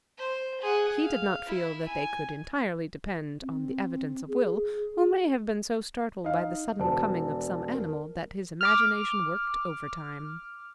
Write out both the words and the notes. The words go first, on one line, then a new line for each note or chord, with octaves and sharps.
He did not feel that they could entirely depend on the evidence of Will, who may have been so startled by the sudden coming of some animal that his imagination worked overtime.
C5
G#4 F#5
F5
E4
G#5
C4
G#4
D#4 D#5 F5
E1 C5 D5 A5
A#4
D6 F6